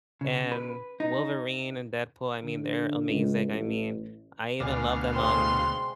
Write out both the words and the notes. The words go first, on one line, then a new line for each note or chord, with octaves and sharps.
and Wolverine and Deadpool, I mean, they're amazing. I mean, I even love them on
C#3
B4
D#4
D3
C#2
A1
D2 B2 D5 F5 G#5
G#3 C4 C6